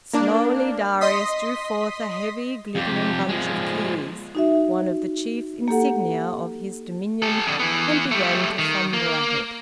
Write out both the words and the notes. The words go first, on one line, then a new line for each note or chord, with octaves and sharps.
Slowly Darius drew forth a heavy, glittering bunch of keys, one of the chief insignia of his dominion, and began to fumble at it.
A#3 D4
D#5 C6 D#6 B6
F2 G4
F3 G#3
D#4 F#4 E5
A#3 G4 A4 F#5
G4 A4
F2 D3
E3 B3
G3 A3
D#3
A#3